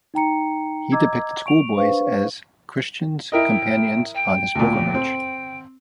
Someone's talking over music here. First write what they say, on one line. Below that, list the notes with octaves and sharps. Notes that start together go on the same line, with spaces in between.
He depicted schoolboys as Christian's companions on his pilgrimage.
D#4 G5 A#5 C#7
D#5 A#5 D6 E6 G#6
C#6 D7 F7
D4 B4 C5 F5 C#6
E4 A#4 D#5 G5
G5
D2 A#2
C4